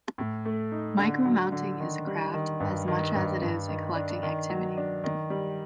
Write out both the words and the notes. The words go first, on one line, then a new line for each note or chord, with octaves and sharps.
Micromounting is a craft, as much as it is a collecting activity.
A2
A3
D#4
D3
F#3
D3
D#3
G3
D#3
G2
D#3
G2
G2
D#3
D4
D#3
F#3
D4
D#3
G3